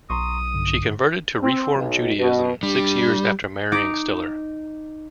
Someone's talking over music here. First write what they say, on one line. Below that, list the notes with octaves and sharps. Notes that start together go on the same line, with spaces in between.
She converted to Reform Judaism six years after marrying Stiller.
B1 A#5 C6 C#6 D#6
G2 D3
C4
B1
B2
G2 G3
D#4 D6